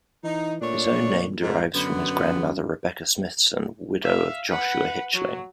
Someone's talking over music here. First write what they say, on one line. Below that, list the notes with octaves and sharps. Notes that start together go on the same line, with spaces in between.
His own name derives from his grandmother Rebecca Smithson, widow of Joshua Hitchling.
E3 D#4
A#2 A3 D4 C#5
G#2
F#2 D3 B3
E5 F5
B4 F#5
F#3 F#4